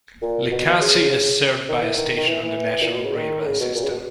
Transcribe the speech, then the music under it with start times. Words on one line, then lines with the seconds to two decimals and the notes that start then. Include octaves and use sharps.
Likasi is served by a station on the national railway system.
0.22 A#2
0.51 B2
0.65 B2
0.81 C#3
1.68 D#3
1.82 E3
1.96 D#3
2.17 D#3
2.28 E3
2.43 E3
2.82 A#2
2.94 B2
3.04 C#3
3.16 D#3
3.41 D#3
3.46 C#3
3.60 B2
3.75 A#2
3.83 C#3
3.90 B2